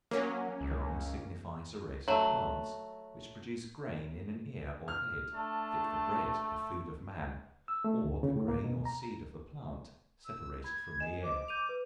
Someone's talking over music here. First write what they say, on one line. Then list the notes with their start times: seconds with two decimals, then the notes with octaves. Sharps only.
Corn signifies a race of plants which produce grain in an ear or head, fit for bread, the food of man; or the grain or seed of the plant, separated from the ear.
0.11 F#3 A#3 C#4
0.61 C#2
2.08 F#3 A3
4.88 F6
5.34 A3 D4 A5
7.68 E6
7.84 A3
8.04 D2
8.23 C#3
8.36 A2
8.48 A#3
8.64 B2
8.85 A#5
10.25 E6
10.64 B5 G#6
11.00 D#5 G#5 E7
11.23 C5 D#5 D6
11.48 G6 D#7 F7
11.69 B4